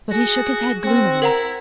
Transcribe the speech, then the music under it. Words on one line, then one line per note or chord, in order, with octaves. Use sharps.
But he shook his head gloomily.
F#4 G#4
C4 F#4
E4 A#4 F#5 A#5